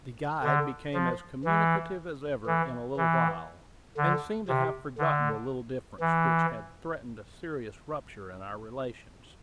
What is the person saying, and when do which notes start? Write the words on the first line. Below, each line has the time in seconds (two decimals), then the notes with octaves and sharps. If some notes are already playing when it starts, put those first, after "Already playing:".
The guide became as communicative as ever in a little while, and seemed to have forgotten the little difference which had threatened a serious rupture in our relations.
0.44 D3
0.94 F3
1.44 E3
2.46 E3
2.97 E3
3.97 D3
4.48 C3
4.98 D3
6.00 E3